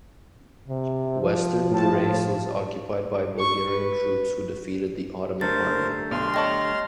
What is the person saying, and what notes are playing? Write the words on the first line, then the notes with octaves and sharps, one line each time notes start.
Western Thrace was occupied by Bulgarian troops who defeated the Ottoman army.
C3
F3
A2 A5
C#6
B4
D3 G3 A3 A#4 C5 A6
B1 C6 F6
C#5 D#5 G5 A5 C#6 A#6